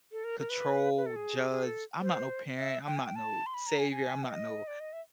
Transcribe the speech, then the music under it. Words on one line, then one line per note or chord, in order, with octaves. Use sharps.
control, judge. I'm not no parent, I'm not no savior, I'm not no
A4
A#4
A#4
B4
B4
A4
G#4
G#4
A4
C5
E5
G5
G#5
G5
A5
C6
B5
A#5
G#5
G#5
E5
D#5
D5
D#5
E5